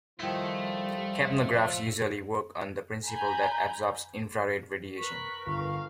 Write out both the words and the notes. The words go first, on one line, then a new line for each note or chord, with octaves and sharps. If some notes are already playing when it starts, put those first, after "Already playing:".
Capnographs usually work on the principle that absorbs infrared radiation.
D#3 F3 G3 A3 E4 F4
G#5 A#5 B5 G6
A#4 B4 C#6 F#6 B6
G1 F5